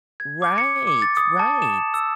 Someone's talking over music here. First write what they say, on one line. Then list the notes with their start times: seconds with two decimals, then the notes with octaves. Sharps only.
Right, right.
0.20 G#6
0.42 D6
0.58 C#7
0.87 D6
1.02 A6
1.17 D#6
1.39 A5
1.62 E7
1.94 E6